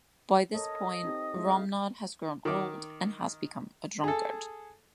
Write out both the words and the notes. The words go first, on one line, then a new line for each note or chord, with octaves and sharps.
By this point, Romnod has grown old and has become a drunkard.
A4 A#4 C#5 D#5
C4 D#4 G4
G#3 E4
F5
D#3 D6
G#4 A4